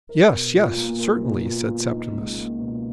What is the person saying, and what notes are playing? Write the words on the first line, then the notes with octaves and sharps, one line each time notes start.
"Yes, yes, certainly," said Septimus.
A#4
B2
F4
A#3
A#4
B2
F4
A#3
D#4
C#2
A#3
B2